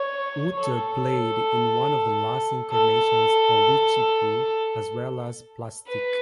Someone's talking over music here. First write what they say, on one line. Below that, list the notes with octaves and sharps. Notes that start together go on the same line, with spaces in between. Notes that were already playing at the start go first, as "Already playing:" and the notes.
Utter played in one of the last incarnations of Witchypoo, as well as Plastique.
Already playing: C#5
A4
A4
B4